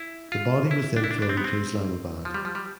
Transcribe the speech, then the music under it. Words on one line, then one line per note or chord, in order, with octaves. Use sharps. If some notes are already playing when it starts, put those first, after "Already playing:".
The body was then flown to Islamabad.
Already playing: E4
F4
E4
D4
E4
D4
D4
C4
B3
C4
F3
G3
F3
G3